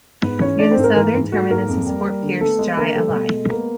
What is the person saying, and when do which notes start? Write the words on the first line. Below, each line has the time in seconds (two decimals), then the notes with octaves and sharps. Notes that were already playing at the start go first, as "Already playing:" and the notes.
Near the southern terminus is Fort Pierce Jai-Alai.
0.23 G#2 B3 B4
0.41 E3 C#4 C#5
0.59 A3 D4 D5
0.71 C4 C5
0.77 G#2 A4
0.84 A#3 A#4
0.96 E3 A#3 A#4
1.14 G#2
1.32 A3 F#4
1.50 G#2 A#3 A#4
1.68 F2
1.86 G3
2.05 G3
2.23 D3
2.41 A3 B3 A4
2.59 G#3 B3 G#4
2.77 D3 A#3 A#4
2.95 G3 A3 A4
3.14 B2
3.31 G#3
3.49 A#3 B3 A#4